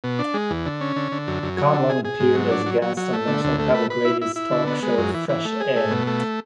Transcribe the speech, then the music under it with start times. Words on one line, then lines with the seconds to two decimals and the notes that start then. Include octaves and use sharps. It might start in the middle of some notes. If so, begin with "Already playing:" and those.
Conlon appeared as a guest on National Public Radio's talk show "Fresh Air".
0.04 B2
0.19 D4
0.34 G#3
0.50 E2
0.66 D3
0.81 C#4
0.96 D3
1.12 D3
1.28 F#2
1.43 F#2
1.58 F#3
1.73 D3
1.90 G#4
2.05 G#4
2.20 G#2
2.35 F#3
2.51 D4
2.66 F#3
2.82 F#3
2.97 F#3
3.13 A3
3.28 D3
3.44 D2
3.59 A3
3.75 B4
3.90 B4
4.05 E4
4.22 E4
4.36 E4
4.52 D3
4.67 B3
4.83 G#3
4.98 F#2
5.14 E3
5.29 E3
5.45 A3
5.60 G#4
5.76 A3
5.91 B2
6.07 A3